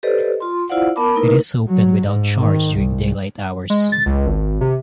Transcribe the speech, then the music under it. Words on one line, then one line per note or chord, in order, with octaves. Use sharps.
It is open without charge during daylight hours.
G4 A4 B4 C5 D5 D#5
F4 C6
E4 F4 C5 D5 F5 F#5
B3 A#4 A5 B5 D6
A3 A#3 D#4 E4 A#4 B4
F#3
G#2
D#3
C2
G#3
A6
C#2
G#1
C3